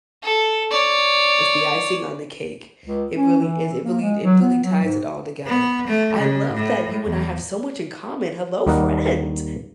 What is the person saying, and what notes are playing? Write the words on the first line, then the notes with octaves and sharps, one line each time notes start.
is the icing on the cake. It really is it really it really ties it all together. I love that you and I have so much in common. Hello, friend!
A4
C#5 D5
C#2
C#4
E3
A#3
G#3
F#3
B3
F#3
G#2
B3
A3
C#3
A2
E2
D#2 G3 A#3 A#4 D#5 F#5